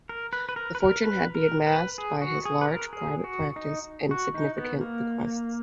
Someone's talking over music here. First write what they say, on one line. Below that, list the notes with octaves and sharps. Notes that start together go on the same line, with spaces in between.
The fortune had been amassed by his large private practice and significant bequests.
A#4
B4
B4
A#4
B4
A#4
B4
A#4
B4
G#4
F#4
G#4
B4
A#4
G#4
F#4
D#4
F#4
D#4
B3
A#3